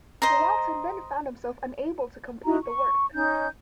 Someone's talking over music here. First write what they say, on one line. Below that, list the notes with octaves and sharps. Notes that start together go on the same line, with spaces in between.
Walton then found himself unable to complete the work.
C5 D#5 A#5
D#4 E4 F#4 A#5
C#6
C#4 D#4 G6